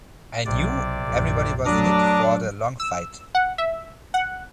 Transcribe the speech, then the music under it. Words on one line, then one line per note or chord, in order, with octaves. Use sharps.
I knew everybody was in it for the long fight.
B1 C3 D5
A#1 F#2
F#3 A3 D4 A#5 D6 D#6
E6
F#5
E5
F#5